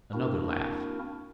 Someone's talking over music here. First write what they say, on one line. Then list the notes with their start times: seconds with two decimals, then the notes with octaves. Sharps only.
Another laugh.
0.14 A#3 C4 D4 E4 F#4 A#4